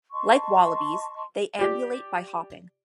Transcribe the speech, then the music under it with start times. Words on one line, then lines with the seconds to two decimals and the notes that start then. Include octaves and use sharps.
Like wallabies, they ambulate by hopping.
0.13 D#5 A5 C6 C#6
1.59 G4 D5